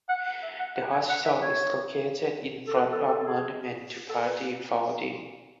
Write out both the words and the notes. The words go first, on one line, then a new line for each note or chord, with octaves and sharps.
The hospital is located in front of Monument to Party Founding.
F#5
F#5
E5
F#5
F#5
G#5
F#5
E5
C#5
A4
B4
A4
A4
A4
G#4
A4
B4